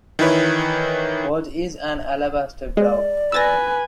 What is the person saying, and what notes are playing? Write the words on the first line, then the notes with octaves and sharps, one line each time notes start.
What is an alabaster brow?
D#3 E3 E4 B4 C#5
G#3 D5
B4 G#5 E6 A6 A#6